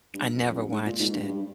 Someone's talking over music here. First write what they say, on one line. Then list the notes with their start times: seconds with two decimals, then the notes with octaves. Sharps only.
I never watched it.
0.14 G2
0.35 F2
0.50 F2
0.56 G2
0.71 G#2
0.86 A#2
0.99 G#2
1.13 G2
1.27 G2